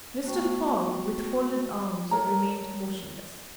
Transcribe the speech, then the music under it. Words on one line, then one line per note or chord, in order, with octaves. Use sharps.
Mr. Fogg, with folded arms, remained motionless.
A3 B3 F#4 C5 G5 C#6
A4 A#4 C#5 A#5